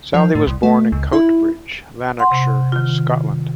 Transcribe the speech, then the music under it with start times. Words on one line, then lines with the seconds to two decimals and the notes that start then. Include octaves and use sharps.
Sally was born in Coatbridge, Lanarkshire, Scotland.
0.14 F3
0.35 A2
0.47 C2
0.63 A3
0.92 C#2
1.13 E4
2.19 F#5 C6
2.31 C3
2.72 D#3 F4